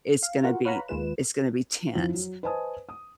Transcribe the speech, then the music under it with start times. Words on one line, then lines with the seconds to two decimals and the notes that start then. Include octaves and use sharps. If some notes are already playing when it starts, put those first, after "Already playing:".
it's gonna be it's gonna be tense,
0.23 F5
0.43 F4 F#4 A#4 F#5
0.65 B4 C#5 F5 F#5 A#5 B5
0.88 D#2 D#3 G#3 F4 B4 E7
1.95 F2 F3 D#4 E4
2.14 F#3
2.43 B4 C5 D#5 G#5 A5 D#6
2.89 D#6